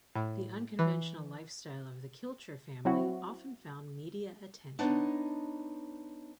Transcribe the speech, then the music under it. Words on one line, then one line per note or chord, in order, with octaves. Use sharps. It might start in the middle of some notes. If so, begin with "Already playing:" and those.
The unconventional lifestyle of the Kilcher family often found media attention.
A2
E3
F#3 C4 E4 F#4
B3 D4 D#4 C#5 D#5